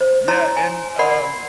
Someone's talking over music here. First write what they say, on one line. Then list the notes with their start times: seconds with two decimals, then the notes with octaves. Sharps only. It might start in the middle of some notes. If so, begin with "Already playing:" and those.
yeah, and, um
0.01 C5
0.28 E4 C#5 A5 A#5 C6 E6
0.57 G#5
0.99 A#4 D5 F#5 B5 C6